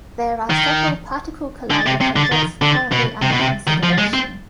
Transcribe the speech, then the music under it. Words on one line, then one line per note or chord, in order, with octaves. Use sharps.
There are several particle collider projects currently under consideration.
D#3
D3
C3
C3
D3
D#3
D3
B2
C3
B2
C3
D#3
F3
G#3
C4